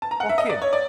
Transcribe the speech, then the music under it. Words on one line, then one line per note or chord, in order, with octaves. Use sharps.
Walk in.
A5
A#5
F#5
E5
D#5
D5
C#5
D5